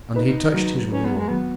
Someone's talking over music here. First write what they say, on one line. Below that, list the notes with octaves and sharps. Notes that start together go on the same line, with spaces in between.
And he touched his mule.
D#4 B4
F#3
C#4 B4
B3
G#3
F#3 B3